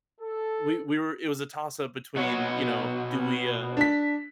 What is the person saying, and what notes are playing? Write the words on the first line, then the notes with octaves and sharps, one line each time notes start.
we we were it was a toss-up between, you know, do we uh,
A4
B2 F#4 C#5
D4 B6